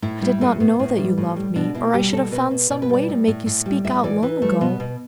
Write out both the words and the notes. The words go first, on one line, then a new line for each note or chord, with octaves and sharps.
I did not know that you loved me, or I should have found some way to make you speak out long ago.
A2 E4
G3 E4
A2 A3
A2 B3
A2
G3
A2
G3
B2 D4
B2 E4
G3 G4
B2 A4
B2 B4
B2
B2 D5
B4
G3 D5
A2
A2
A2
G3
A2 E5
E3 D5
E3 B4
G3 A3
B2 B3
B2